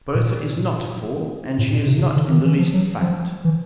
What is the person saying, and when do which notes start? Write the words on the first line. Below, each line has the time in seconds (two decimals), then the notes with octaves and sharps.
Bertha is not a fool, and she is not in the least fat.
0.14 A#2
1.59 A2
1.73 A#2
1.86 C3
1.98 C3
2.01 C#3
2.16 D3
2.30 D#3
2.45 E3
2.59 F3
2.74 F#3
3.02 F3
3.44 E3